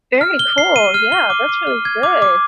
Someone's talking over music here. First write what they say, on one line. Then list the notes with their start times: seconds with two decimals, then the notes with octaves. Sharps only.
Very cool. Yeah, that's really good.
0.21 F6
0.39 G7
0.58 C7
0.76 D#7
0.94 F6
1.12 G7
1.30 D6
1.49 D6
1.67 F6
1.85 G#6
2.03 D6
2.22 D6